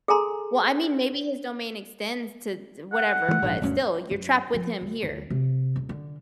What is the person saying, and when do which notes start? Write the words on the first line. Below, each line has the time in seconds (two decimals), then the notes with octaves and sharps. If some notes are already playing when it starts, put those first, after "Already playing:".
Well, I mean, maybe his domain extends to d whatever, but still, you're trapped with him here.
0.08 G#4 A4 G#5 A#5 C6
2.93 F#5
3.28 E3 F3 A3
3.42 A#1 G#2
3.61 G1 D2 C#4
4.11 F#2
4.54 F3
4.81 D2
5.03 D2
5.30 C3
5.76 D#1
5.89 D3